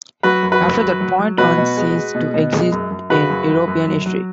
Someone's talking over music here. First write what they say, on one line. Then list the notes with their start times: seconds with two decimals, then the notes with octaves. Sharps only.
After that point, Huns cease to exist in European history.
0.23 F#3 F#4 B4
0.43 F#2
0.52 F#4 B4
0.61 F#2
0.81 F#3
1.00 F#3
1.19 F#3
1.38 B2 F#4 B4
1.57 B2
1.77 G#3
1.95 G#3
2.15 B2
2.34 B2
2.53 G#3
2.72 F#2
2.91 F#2
3.10 C#3 F#4 B4
3.30 F#2
3.49 F#2
3.68 F#2
3.87 F#3
4.06 F#3